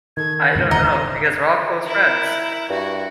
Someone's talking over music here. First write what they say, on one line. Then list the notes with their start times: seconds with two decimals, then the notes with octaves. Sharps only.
I don't know, because we're all close friends.
0.17 D#3 A4 G#6
0.42 F#5
0.55 E2 G#2 C#3
0.71 D#1 D#2 D3 D#5 A#5
1.85 E4 A#4
2.70 G2 F#4